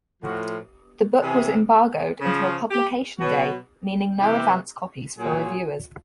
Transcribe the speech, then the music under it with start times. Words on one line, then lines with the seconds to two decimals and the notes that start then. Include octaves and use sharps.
The book was embargoed until publication day-meaning no advance copies for reviewers.
0.22 A2 F3 F#4
1.21 C3 E3 G#4
2.21 C#3 F3
2.70 G4
3.19 B2 F#3 F#4
4.19 C3 E3 G4
5.18 A#2 F#3 G#4